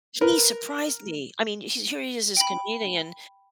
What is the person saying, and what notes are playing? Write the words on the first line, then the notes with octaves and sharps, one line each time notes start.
he surprised me. I mean, he's here he is this comedian
A#4 B4
G5 B5